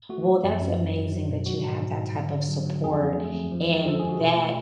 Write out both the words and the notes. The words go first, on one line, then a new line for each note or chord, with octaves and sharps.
Well, that's amazing that you have that type of support, and that
A3 F#4
F3
F#2
F#2
F#3
F#3
F#3
B2
F#3 F#4
G#2
G#2
G#2
D3
D3
F#3
F#3
F2 G#4
F2
A3
F2
F3
G#3
F3 A4
G#3 G#4
F#4
B2 F4
A3